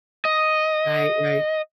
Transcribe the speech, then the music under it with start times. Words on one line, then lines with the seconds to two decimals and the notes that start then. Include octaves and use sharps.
Right, right.
0.25 D#5